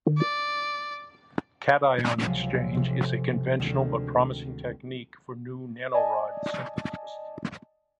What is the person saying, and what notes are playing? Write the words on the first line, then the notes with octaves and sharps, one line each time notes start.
Cation exchange is a conventional but promising technique for new nanorod synthesis.
D5
C#2 C3 F3 F#3 G#3
A1 C3
D2 D#3 G#3 C4 E7
D5 D#5 G#5 A5